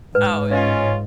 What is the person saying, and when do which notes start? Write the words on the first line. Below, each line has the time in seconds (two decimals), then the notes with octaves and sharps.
Oh, i
0.15 G#2 B4
0.51 C#4 F4 C#5 D#5 A6